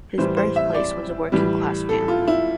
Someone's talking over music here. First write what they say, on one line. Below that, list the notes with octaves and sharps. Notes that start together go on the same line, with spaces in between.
His birthplace was a working-class family.
A2 E3 G3 C5
C5
E5
D5
A2 E3 G3
A4
F4
E4